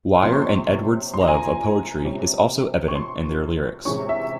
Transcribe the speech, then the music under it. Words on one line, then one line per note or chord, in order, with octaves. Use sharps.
Wire and Edwards' love of poetry is also evident in their lyrics.
C3 F3 A#3 C#4 C6
C#6
C6
C6
A#5
G#5
A#5
C3 G3 C#4
C#6
C6
C3 E3 G#3 C#4 C#6
E5